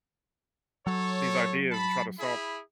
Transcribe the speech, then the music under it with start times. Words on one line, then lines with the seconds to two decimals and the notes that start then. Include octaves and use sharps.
these ideas and try to solve
0.87 F#3 A4 C#5
1.72 A5 B5
2.18 E4 G#4 B5